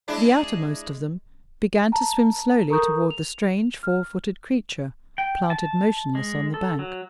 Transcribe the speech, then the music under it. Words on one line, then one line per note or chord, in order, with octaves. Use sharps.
The outermost of them began to swim slowly toward the strange four-footed creature, planted motionless on the bank.
G#3 D4 E4
A5 A#5
A4 A#4 A#5 C#6 D#6 G6
F7
F6
G5
A5
G#3
A4
F#3